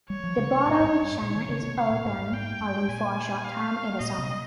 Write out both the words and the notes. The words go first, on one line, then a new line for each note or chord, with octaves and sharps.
The border with China is open only for a short time in the summer.
G3 C#5
F3
C#3
C3
G#2
G#2
G2
G2
A#2 C#5
D#3
C#3
C3
C3 F5
A#2
G#2
G#2
G#2 G5
G2
A#2 G#5
F5
A#2 D#5
C3